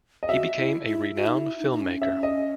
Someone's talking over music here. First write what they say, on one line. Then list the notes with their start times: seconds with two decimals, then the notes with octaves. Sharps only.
He became a renowned film maker.
0.23 D#5
0.29 F#4 E5
0.57 E4
0.87 E4
1.15 F#4
1.26 D#4
1.37 E4
1.58 D#4
1.72 D#4
1.80 C#4
2.02 E5
2.23 D#5